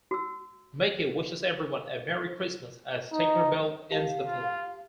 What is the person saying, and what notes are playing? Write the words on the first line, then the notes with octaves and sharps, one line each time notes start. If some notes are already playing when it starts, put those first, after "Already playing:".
Mickey wishes everyone a Merry Christmas as Tinker Bell ends the film.
F#4 E6
D#4
G4 F5 A5
F4